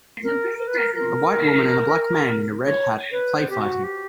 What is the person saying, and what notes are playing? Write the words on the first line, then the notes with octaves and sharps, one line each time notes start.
A white women and a black man in a red hat play fighting.
A#4
A#4
B4
A#4
A#4
C#5
B4
C5
G4
F#4
G4